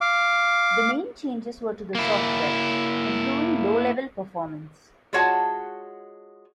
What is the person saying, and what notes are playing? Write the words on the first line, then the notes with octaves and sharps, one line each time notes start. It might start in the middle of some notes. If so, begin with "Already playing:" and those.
The main changes were to the software, improving low-level performance.
F5 D6
A#3 E4
G#3 F4 F#4 C#5 F#5 A5